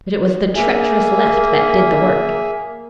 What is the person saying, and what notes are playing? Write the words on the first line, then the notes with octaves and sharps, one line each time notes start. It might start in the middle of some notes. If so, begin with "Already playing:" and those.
But it was the treacherous left that did the work.
A#3 G#4 E5 G#5